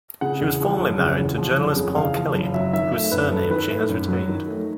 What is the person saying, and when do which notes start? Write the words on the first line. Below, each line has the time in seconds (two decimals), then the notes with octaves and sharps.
She was formerly married to journalist Paul Kelly, whose surname she has retained.
0.21 C#3 F#5
0.41 E2
0.61 F3
0.79 F#1
0.99 C#3
1.19 E2
1.38 F3
1.57 F#1
1.76 C#3
1.96 E2 F5
2.16 F3
2.34 F#1
2.54 F#3 E5
2.73 D#3 E5
2.93 A3 E5
3.11 F#2 B4
3.31 F#3 A4
3.50 D#3 B4
3.70 A3
3.89 F#2
4.08 F#3
4.29 D#3
4.47 A3